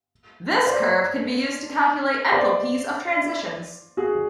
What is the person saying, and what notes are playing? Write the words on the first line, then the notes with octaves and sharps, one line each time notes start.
This curve can be used to calculate enthalpies of transitions.
C5 D5
C5 D5
F#4 G#4